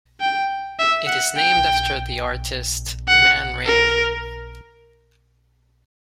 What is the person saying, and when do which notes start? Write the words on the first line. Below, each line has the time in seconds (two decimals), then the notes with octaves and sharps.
It is named after the artist Man Ray.
0.21 G5
0.79 E5
1.07 F#5
1.37 G5
3.08 F#5
3.66 A#4